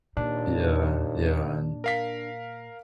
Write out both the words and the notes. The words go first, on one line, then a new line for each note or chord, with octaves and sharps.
Yeah, yeah, and
D#2 A#2 D4
A#4 F5 B6